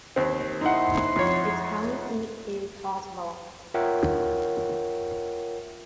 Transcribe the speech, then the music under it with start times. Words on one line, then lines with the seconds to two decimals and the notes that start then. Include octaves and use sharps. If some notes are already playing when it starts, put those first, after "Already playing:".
Its county seat is Hawesville.
0.16 D#2 C4
0.61 D#4 E4 F#5 C6
1.16 F2 C#5
3.74 F4 A#4 C#5 E5 F#5 G5